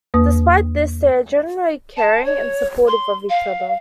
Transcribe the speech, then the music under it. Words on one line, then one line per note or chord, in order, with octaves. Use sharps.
Despite this, they are generally caring and supportive of each other.
E2 A#3 B4 D#6
A5
C#5
C6
F5